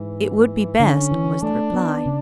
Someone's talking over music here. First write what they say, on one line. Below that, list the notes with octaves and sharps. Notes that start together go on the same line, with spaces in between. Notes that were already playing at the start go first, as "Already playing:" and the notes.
"It would be best," was the reply.
Already playing: G#2 E3
D3 C#4
E3
A3 D4
B3
C#3